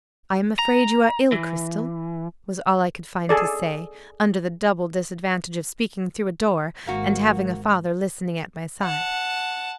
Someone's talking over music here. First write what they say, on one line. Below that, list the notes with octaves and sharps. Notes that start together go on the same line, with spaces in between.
"I am afraid you are ill, Cristel?" was all I could find to say, under the double disadvantage of speaking through a door, and having a father listening at my side.
A#5
E3
G#4 A4 D5
G#1 A#3 F#4
F#5 A5